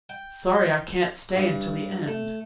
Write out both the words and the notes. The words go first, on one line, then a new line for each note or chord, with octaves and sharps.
Sorry I can't stay until the end.
G5
C6
G2
A3